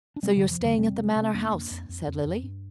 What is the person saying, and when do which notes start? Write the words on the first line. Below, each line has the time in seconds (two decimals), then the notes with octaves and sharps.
"So you're staying at the Manor House," said Lily.
0.16 D4
0.23 C3 G3 C4
0.37 F2 D3 G3
0.51 F3
0.61 F2 D3 G3
0.78 C3 G3 C4
0.97 C3
1.16 C3
1.22 C4
1.34 F2 A#3 D4
1.52 F2
1.71 F2
1.89 F2
2.07 F2
2.25 F2
2.43 G2